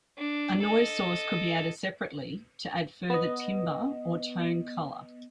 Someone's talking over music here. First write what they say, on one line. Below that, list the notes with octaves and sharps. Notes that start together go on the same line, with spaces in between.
A noise source could be added separately to add further timbre or tone colour.
D4
A4 D#5
B3 D#5